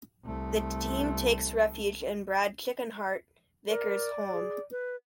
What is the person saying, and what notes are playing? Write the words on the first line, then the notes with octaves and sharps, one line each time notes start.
The team takes refuge in Brad "Chickenheart" Vicker's home.
C2 A3
A#4 D5
G#4
B4